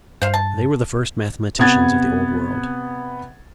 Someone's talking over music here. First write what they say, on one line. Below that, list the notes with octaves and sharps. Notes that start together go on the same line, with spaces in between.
They were the first mathematicians of the Old World.
G2 C5 F5
A5
C3 B3 F#5 G#6 A6